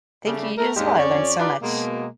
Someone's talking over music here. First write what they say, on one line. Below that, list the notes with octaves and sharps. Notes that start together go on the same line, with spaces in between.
Thank you, you as well, I learned so much.
C#3 G3 A3
A3 A#4
D#2 G#2 G3 G#3 A#3 G4
F2 C#4 D5
D4 D#4 F4 G4 B4 D5
B2 G#3 A#3